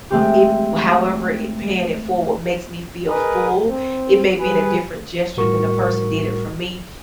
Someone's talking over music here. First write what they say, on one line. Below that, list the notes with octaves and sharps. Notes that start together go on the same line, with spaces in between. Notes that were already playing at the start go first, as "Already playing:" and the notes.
it however it paying it forward makes me feel full, it may be in a different gesture than the person did it for me,
G#3 A3 C4 G4
G#4 A#4 B4 D#5
C4
G3 G#4 B4
A2 G3 F#4 A#4 C#6